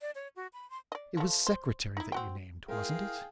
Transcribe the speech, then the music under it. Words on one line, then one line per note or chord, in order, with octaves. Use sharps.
'It was Secretary that you named; wasn't it?'
D5
C#5
F#4
B5
C6
D5 D#5
F3 A3
C5
D#4 E4
C4 F#4 G5
G#3 E4 G#4 A#4 F5 G5